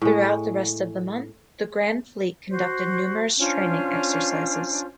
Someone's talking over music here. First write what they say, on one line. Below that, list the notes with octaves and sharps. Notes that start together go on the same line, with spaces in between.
Throughout the rest of the month, the Grand Fleet conducted numerous training exercises.
A2 G#3
F#4 C5
C#4 D4 F4 C5